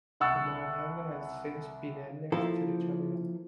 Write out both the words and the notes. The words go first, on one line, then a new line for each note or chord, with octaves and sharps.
An old hangar has since been annexed to the terminal.
C2 F#5 C#6 E6 A6
F3 A#3 E4 A4